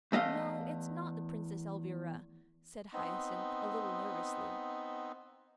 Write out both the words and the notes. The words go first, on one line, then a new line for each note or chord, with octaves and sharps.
"No, it's not the Princess Elvira," said Hyacinth, a little nervously.
E2 A3 D#5 F5
B3 C4 D#4